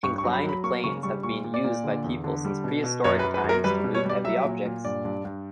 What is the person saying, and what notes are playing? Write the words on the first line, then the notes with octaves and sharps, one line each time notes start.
Inclined planes have been used by people since prehistoric times to move heavy objects.
G2 C#6
C#6
F#3
B5
F#3
B5
A#3 C#6
C#3 C#6
G3 C#6
A#2 C#6
A#2
D5
A#2
D3
E2
D3
G3
B2
B2
F#2 C#5
B4
F#2
B4
F#2
A#4
G3 B4
B2
C#5
G3 D5
F#3 E5
A#2
A#2
G2 D5
G2
G2